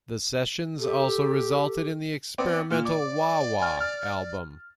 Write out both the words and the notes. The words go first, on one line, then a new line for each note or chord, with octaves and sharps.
The sessions also resulted in the experimental "Wah Wah" album.
G4 A4
B3 C4 D5 D6
A#2 F6
D5 D6
G#5 F6
F6 A6